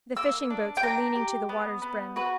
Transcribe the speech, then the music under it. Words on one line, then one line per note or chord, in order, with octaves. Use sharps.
The fishing-boats were leaning to the water's brim.
A#3 E6
D4
G5
D4 A#5
G4
B3
B3
F#4 B4